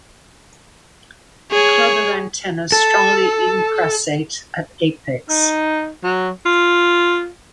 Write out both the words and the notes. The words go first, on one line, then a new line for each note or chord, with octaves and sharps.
Club of antenna strongly incrassate at apex.
G#4 C#5
A4
D#4
F#3
F4